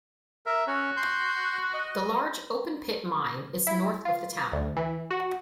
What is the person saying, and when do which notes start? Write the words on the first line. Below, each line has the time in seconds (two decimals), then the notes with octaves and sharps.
The large open-pit mine is north of the town.
0.46 A#4 E5
0.67 C#4 F#4 C#5
0.97 C6 G6
1.74 D#5
3.67 E4
4.05 F4
4.52 D2
4.76 E3
5.11 F#4